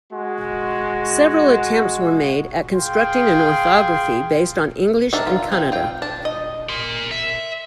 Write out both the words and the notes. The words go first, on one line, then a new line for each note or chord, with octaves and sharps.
Several attempts were made at constructing an orthography based on English and Kannada.
G#3 F#4
G#4 F5 G5 C6
D4 D#4 A#4 E5
F4
F3 C4
F4 G5
D4 A5
D#5
A#4 C6
E5